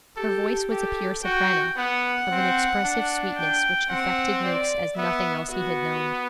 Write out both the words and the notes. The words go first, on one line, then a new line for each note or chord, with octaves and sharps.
Her voice was a pure soprano, of an expressive sweetness which affected Noakes as nothing else he had known.
G4 A4
G4 A4
F#4 G5
B3 F#5
C4
D4
G5
C4 F#5
D5
B3 E5
B3 F#4